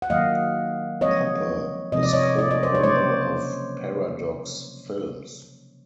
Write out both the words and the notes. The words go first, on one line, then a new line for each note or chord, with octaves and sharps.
Poppe is co-owner of Paradox Films.
F#5
D#3 F#3 A#3 D#5 F5
F3 G#3 C4 C#5 D#5
C3 F3 G#3 C4 D#5
D5
C#5 D#5
D5
D#5
C5 D5
C#5
C#3 F#3 A#3 C#4 C5 D5